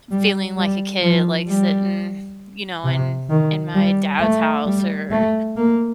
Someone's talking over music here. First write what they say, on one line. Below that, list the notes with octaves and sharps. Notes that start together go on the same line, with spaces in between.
feeling like a kid, like, sitting, you know, in in my dad's house or,
G3
G3
F3
G3
C3
D#3
G3
A3
G3
A3
A#3